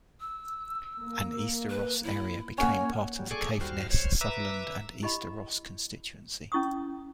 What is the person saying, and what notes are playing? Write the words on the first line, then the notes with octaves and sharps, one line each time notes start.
An Easter Ross area became part of the Caithness, Sutherland and Easter Ross constituency.
E6
A#3
B4
E4
A#3 C#4 C#5 F#5 G#5
F#3 G3
G#4 A4 D5 G#5 C#6 D6
D#2 G3 F#4 C5 F6
C5 C#5
B4 E5 A#5 D6 E6
E4 G4 D#5 B5
C#4 E4 C#6 D#6